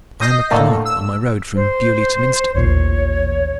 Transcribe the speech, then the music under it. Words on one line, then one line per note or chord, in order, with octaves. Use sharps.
"I am a clerk on my road from Beaulieu to Minstead."
D#5 D#6 G6 A#6 C7
A2 D3 A3 A#3
E6
C5
A1 D#2 A#2 C#5